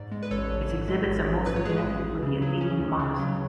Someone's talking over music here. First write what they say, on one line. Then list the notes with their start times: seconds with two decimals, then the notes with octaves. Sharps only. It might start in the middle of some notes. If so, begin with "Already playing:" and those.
Its exhibits are mostly connected with the Athenian democracy.
Already playing: G#2 D5
0.11 G#3
0.23 B4
0.31 A1 A4 C#5
0.49 A1
0.69 G#2
0.88 G#3
1.07 A1
1.27 A1
1.46 G#2 B4
1.56 C#5
1.65 G#3 G#4 B4
1.84 A1
2.04 D2
2.22 C#3
2.42 F#3
2.61 C#4
2.80 D2
2.99 C#3
3.19 F#3